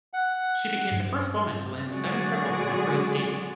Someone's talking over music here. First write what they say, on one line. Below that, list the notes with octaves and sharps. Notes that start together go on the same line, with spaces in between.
She became the first woman to land seven triples in a free skating.
F#5
G2
D3 F#3 G#3 F#4 G#4 D5